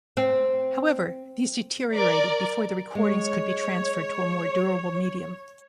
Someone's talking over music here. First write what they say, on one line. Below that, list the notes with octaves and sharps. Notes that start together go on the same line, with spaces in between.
However, these deteriorated before the recordings could be transferred to a more durable medium.
C4
A#4 D5
G#3 C#5